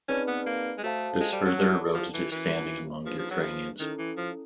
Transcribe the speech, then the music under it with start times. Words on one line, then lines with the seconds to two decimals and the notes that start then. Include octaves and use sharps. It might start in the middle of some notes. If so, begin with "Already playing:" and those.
This further eroded his standing among Ukrainians.
0.08 C4 C#4 D#4 G#4 B4 D5
0.28 B3
0.46 A#3
0.78 G#3
0.83 A3 F#4 A4 C5 F5 A5
1.21 G#3
1.33 G3
1.45 F#3
1.58 E4 A4 D5 F#5 A5
1.95 F3
2.14 E3
2.31 E3 C#4 F#4 A#4
3.06 F3 D#4 G#4 B4
3.19 F3
3.31 F#3
3.43 F3
3.80 D#3 C#4 E4 A4
3.99 E3
4.17 F3